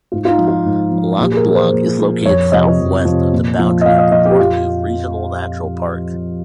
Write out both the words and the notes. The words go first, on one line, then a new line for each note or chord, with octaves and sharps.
Lac Blanc is located southwest of the boundary of the Portneuf Regional Natural Park.
G#2 F4
F4
D#4
F3
F4
G#2
F3
A#2 G4
G#4
A#4
F3
C5
A#2
F3
F2 C#5
C3 F3 D#5
F2
C3 F3
A#2
F3
D#5
A#2 F5
D#5
F3 D#5
G4
F2 F4